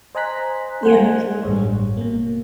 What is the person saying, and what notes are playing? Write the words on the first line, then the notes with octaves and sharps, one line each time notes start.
Yeah, absolutely.
C5 D#5 G#5 A#5 F#6 B6
C5 F#5 G#5
A1 G2 C#5
B2 A#3